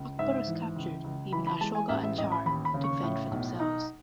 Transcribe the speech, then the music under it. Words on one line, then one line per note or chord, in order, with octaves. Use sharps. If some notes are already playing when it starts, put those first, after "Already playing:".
Ackbar is captured, leaving Ahsoka and Char to fend for themselves.
Already playing: C#2
G#2 E5
E3
C#2
C#2
E3 B5
B5
G#3 A5
G#5
A1 E5
E5
A1 D#5
B5
D#2 B5
B5
C#3
C#6
A2
B1
D#4